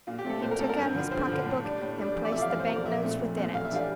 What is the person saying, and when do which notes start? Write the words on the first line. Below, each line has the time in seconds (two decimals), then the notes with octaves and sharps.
He took out his pocket-book and placed the bank notes within it.
0.07 A#2 F4
0.18 G4
0.25 A3 C4 A4
0.41 A#2 C5
0.51 A#4
0.59 A3 C4 A4
0.69 A#4
0.77 G2
0.94 D3 F3
1.11 G2 C5
1.28 D3 F3
1.46 A2
1.64 G3 D4
1.81 A2
1.98 G3 D4
2.15 E2
2.25 D5
2.32 C3 E5
2.38 F3 F5
2.50 E2 F5
2.59 C5
2.68 C3 F3 A#4
2.76 D5
2.85 A#1 E5
3.02 A#2 A3 C4
3.20 A#1
3.37 A#2 A3 C4
3.54 A1 F5
3.65 E5
3.71 E3 G3 D4 F5